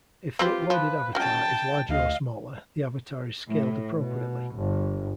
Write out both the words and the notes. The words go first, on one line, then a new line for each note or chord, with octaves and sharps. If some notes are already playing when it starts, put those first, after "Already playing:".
If the uploaded avatar is larger or smaller, the avatar is scaled appropriately.
C4 F4 G4 B4 C5
F3 B4
C#4 F#4 G5 A5
D2 D#5 F5
A2
B2
G1